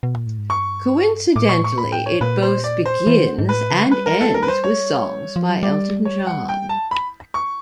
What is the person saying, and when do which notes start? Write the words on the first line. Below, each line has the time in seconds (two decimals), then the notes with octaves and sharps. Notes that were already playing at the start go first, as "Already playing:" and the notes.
Coincidentally, it both begins and ends with songs by Elton John.
0.03 B2
0.15 A#2
0.27 A2
0.38 G#2
0.50 G2 C#6
1.36 A2 D6
1.48 A#2 C#6
1.60 A2 C#6
1.72 A#2
1.78 B5
1.84 A2
1.92 G5
2.06 C#5
2.21 A#2 B4
2.42 C5
2.64 D5
2.85 C5
3.07 E3
3.17 D#3
3.39 G#2
3.49 A2 B4
3.70 C#3
3.87 G#3
3.91 G3 B4
4.06 A#4
4.21 A4
4.34 A#4
4.43 B4
4.48 C5
4.64 C#5
5.36 F3
5.49 F#3
5.63 G3 D5
6.05 C#5
6.27 F#5
6.49 G5
6.69 A5
6.91 B5
7.34 C#6